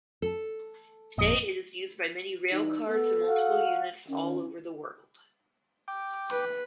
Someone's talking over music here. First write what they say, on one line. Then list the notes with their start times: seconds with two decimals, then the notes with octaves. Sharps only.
Today it is used by many railcars and multiple units all over the world.
0.22 A4
1.18 G#1 F2 A#2 D#5
2.51 E3 G3 D#4
2.88 B3 A4
3.27 F#4 F5 F#5
4.08 D#3 C#4
5.88 G5 D6
6.30 B4